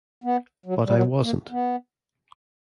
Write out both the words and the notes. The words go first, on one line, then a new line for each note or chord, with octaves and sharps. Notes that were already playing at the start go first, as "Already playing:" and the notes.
But I wasn't.
B3
F#3
G3
F#3
A#3
B3